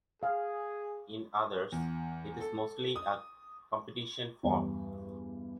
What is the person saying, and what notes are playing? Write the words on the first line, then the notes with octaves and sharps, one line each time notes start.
In others, it is mostly a competition form.
G#4 F5
E2
A4
D#6
E2 G2